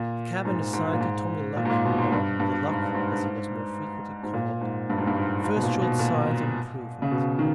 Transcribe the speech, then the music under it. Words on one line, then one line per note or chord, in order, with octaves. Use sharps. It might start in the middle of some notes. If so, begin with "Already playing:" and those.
The cabin assigned to "Tommy Luck"--or "The Luck," as he was more frequently called--first showed signs of improvement.
Already playing: A#2
G#2
G#2
A#2
G#2
A#2
G#2
A#2
B2
G#2
G2
G2
G#2
G#2
G#2
A#2
G#2
G2
G#2
G2
G#2
G#2
B2
A#2
B2
A#2
C#3
B2
D#3